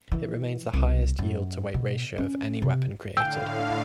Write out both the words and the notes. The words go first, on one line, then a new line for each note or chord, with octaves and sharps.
It remains the highest yield-to-weight ratio of any weapon created.
E3
C2
F#2
B2
C#4
C3
A2 D3 F5 G5 G#5 E6